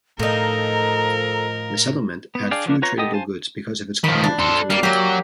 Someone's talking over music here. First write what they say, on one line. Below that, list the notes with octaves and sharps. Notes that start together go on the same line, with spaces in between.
The settlement had few tradable goods because of its climate and terrain.
A2 F3 D#4 A4 A#4
B3
D4 G#4 D5 F5 G5
F3 F#3 A#3 D4
F4 B4 C#5 A#5 C#6
B3 G4 A4 D#5 D#6
C5 F5 G#5 A5
D#3 F3 B5
D4
A4 C5
G3 A#3 F5
F#3 A#3 G4